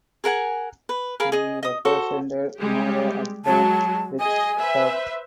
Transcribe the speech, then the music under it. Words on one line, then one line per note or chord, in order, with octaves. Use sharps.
He represented Nora at the Riksdag.
G#4 A#4 F#5 G#5
B4
G#4 A#4 F5 B5
G#4 D#5
D#5 D#6
F#4 A4 C5
G3 G#3 G4
F#3 G#3 A5
G#4 D#5 G#5
B4 C5 E5